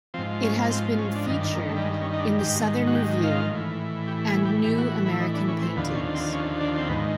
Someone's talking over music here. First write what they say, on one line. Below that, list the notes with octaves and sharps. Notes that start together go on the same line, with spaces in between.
It has been featured in "The Southern Review" and "New American Paintings".
G#2 F3 C4
C#4
C4
C#4
D4
G2 D#3 D#4
D4
A#3
A3
G3
G#3
C#4
D#4
D4
G#2 D#3 G4
F#4
G4
F4
A2 E3
G4
G#4
G4
A2 E3 G4
F#4
F#4
E4
D#4
D4
C#4
C4
D#2 D3 F3 B3
C#4
C4
C#4
D4
C4
G#2 D#3 B3